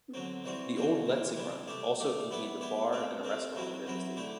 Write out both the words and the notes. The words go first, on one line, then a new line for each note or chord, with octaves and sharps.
The old Letzigrund also contained a bar and a restaurant within the stadium.
D3 F#3 C4
E3 G3 C4 F#4
E3 G3 C4 F#4
C3 E3 G3
C3 E3 G3
A3 D4 G4 D5
A3 D4 G4 D5
G3 B3 E4 B4 D5
G3 B3 E4 B4 D5
A3 C4 G4
A3 C4 G4
F#2 F#3 C4 E4
F#2 F#3 C4 E4
D3 A3 E4 G4